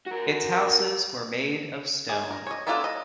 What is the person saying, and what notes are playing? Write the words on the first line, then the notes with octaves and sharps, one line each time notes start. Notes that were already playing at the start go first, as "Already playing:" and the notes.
Its houses were made of stone.
F#4 A#4
G#4
A#4
C#5 D#5
B3 D4 E4 F4 A4
D#5